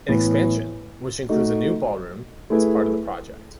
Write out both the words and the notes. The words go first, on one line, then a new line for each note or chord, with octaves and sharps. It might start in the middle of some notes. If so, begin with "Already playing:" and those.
An expansion, which includes a new ballroom, is part of the project.
A2 E3 B3 E4
A3 D#4 F#4
A3 E4 G#4 B4